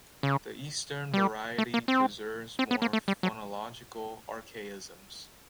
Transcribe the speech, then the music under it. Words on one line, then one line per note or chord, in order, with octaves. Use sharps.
The eastern variety preserves more phonological archaisms.
C#3
G3
A3
A#3
C4
C4
B3
A#3
A3
G3
F#3